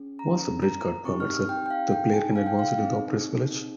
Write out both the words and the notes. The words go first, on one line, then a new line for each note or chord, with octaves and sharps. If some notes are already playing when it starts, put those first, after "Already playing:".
Once the bridge guard permits it, the player can advance into the Oppressed Village.
Already playing: C#4 G#4
A#5
A#5
C4 D#4 G4 C#6
F6
F6
G5
G5
F5
G5
G#5
F5
G5
F5
C4 D#4 G#4